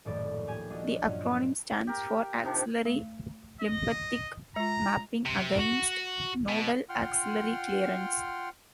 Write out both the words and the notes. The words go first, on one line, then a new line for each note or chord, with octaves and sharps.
The acronym stands for Axillary Lymphatic Mapping Against Nodal Axillary Clearance.
D#1 A#1 F#2 A2 D5
G4 G#5
G3 D4 F4 F#4 D#5
G2 A#2 F#3 C#4 F4 F#4
G4 A#4
C3 D#3 F3 D4
A3
D#5
G#3 F4 A#5
C3
F#4
B2
F4 F#5 G5 C6 F6